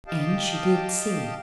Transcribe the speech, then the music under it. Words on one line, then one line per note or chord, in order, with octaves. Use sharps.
And she did see.
G4 D#5 F5 G5 A5